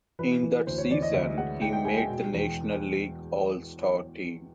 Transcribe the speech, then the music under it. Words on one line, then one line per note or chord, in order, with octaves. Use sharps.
In that season, he made the National League All-Star team.
E3 B4
E3
D2 C5
C#5
E3 D5
D#5
D2 E5
G#3 F#5
G#3 G5
G5
G#3 G#5
G5
B2
E2